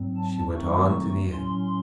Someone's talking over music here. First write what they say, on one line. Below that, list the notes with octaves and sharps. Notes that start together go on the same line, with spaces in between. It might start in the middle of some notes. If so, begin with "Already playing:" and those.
She went on to the end.
Already playing: G#2 F#3 C4
A5
D#3 F#3 A3 C4 D#4 C#6
A2 F#3 C#4 C6